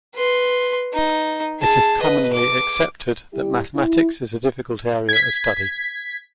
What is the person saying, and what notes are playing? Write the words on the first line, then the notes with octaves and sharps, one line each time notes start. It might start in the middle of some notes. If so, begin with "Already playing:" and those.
It is commonly accepted that mathematics is a difficult area of study.
B4 C6
D#4
G#4 A5
B4 D#5
D6
G3 E4 G4
E4
G#6 B6